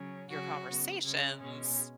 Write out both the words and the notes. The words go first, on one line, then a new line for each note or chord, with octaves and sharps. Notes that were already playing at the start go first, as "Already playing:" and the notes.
your conversations
Already playing: C#3 F#3 C#4
C#3 F#3 C#4 F#4
C#3 B3
C#3 G#3 C#4
B2 G#3 C#4